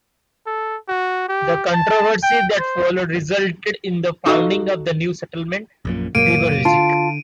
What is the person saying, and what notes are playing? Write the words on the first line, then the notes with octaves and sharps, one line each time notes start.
The controversy that followed resulted in the founding of the new settlement, Beverwijck.
A4
F#4
G4
A5
G5
C5
D#4 F#4 A4 D#5 F5
A#1 F#2 A#2
F#1 A#2 F#3 A#3 D7 D#7
D3 F4 A5